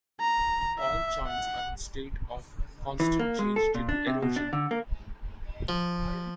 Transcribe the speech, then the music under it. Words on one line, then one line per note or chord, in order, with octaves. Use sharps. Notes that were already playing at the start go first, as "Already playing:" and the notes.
All chines are in a state of constant change due to erosion.
A#5
E5
F#5
E3
A#3
G#3
A4
A#2
D4
C3
B2
D4
D3
A#3
F3